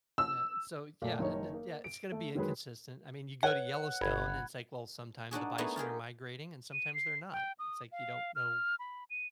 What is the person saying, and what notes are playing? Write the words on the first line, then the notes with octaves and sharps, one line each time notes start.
Yeah, so yeah, and it yeah, it's gonna be inconsistent, I mean, you go to Yellowstone, and it's like, well, sometimes the bison are migrating, and sometimes they're not, it's like, you don't know,
E6
A#2 A3
F#1 D#3 D#4 C#5
A#3
D7
A3
D#3 F#3 G#3 G#4 B4
B4 C#5 F#5
G1 B5 F#6 G#6
D4 D#4 F#4 G#4
A3 B3 D#4 E4 F#4 G#4
F4 G4 G#4 A#4
D#7
C7
G5
D#6
F5
F6
B5
D#7